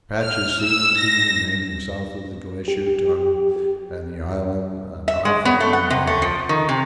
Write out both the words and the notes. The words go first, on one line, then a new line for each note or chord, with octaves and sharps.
Patches seem to be remaining south of the Glacier Tongue and the Island and off our own bay.
F6
E6
A#6
G4
E5
G#3
B3
A3
F#5
C3
A3
F3
D#3
C3